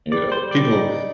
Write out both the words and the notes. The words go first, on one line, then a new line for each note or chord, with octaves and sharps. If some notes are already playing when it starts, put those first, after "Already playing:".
you know, people
G3 D5
C5
G3
D5
D#4